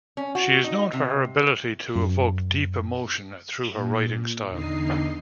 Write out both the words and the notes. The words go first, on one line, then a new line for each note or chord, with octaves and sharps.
She is known for her ability to evoke deep emotion through her writing style.
C#4
F#4
D#4
C3
F#2
A#2
E2 D3 D#4 D#5 C7